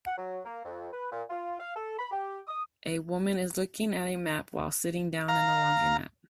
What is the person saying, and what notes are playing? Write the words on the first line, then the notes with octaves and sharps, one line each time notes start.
A woman is looking at a map while sitting down in a laundromat.
F#5
F#3
A#3
F2
B4
A#2
F4
F5
A4
B5
G4
D#6
F5 A#5